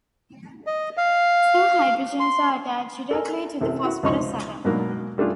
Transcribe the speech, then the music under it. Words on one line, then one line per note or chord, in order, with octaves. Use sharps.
Two hydrogens are attached directly to the phosphorus atom.
D#5
F5
C6
A4 A#4 G#5
A1 C3 A4 A#4
E4 F#4
C#2 C3 F3 D#4 C6 C#6
G#2 B2 F#3 A#3 D4
G3 A3 D4 F4 G#4